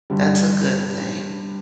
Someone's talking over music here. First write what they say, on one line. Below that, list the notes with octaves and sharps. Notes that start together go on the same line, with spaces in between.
that's a good thing,
G2 D3 G3